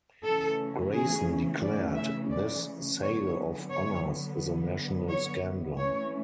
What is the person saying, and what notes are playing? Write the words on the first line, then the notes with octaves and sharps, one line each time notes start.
Grayson declared: This sale of honours is a national scandal.
C#3 E3 A3 C#4 A4
G#4
D5
E5
D5
D3 F#3 B3 C#5
C#5
C#5
E3 A3 C#4 C#5